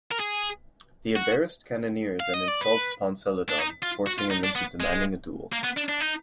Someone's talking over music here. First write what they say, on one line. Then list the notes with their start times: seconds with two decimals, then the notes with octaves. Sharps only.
The embarrassed cannoneer then insults Ponceludon, forcing him into demanding a duel.
0.11 A#4
0.20 G#4
1.16 F#4
2.20 F5
2.34 D#5
2.48 D5
2.61 B4
3.49 D4
3.59 D#4
3.83 F4
4.07 F#4
4.19 F4
4.31 D#4
4.44 D4
4.55 B3
4.80 G#3
5.53 A#3
5.64 B3
5.77 D4
5.89 D4
6.01 D#4